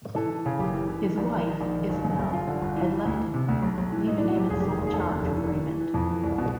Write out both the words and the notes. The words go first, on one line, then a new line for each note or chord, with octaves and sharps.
His wife, Isobel, had left him, leaving him in sole charge of Raymond.
E3 A4
E3
C#3
F#1 G4
E3
E3
D#3
A#1
D#3
D#3
A#1
D#3
G1
F#2
G1
G1 F4
D3
G1
E3
E3
D2
E3
C3
D2
B1
B1
E3
A2 D#4
E3 D4
F#4
B1 G4
F1 G#4
D#3 G4
G#4
D#2
G#4
F1 A4
D#2
F1
E3
E3
E3
E3
F2
E3
C2
B2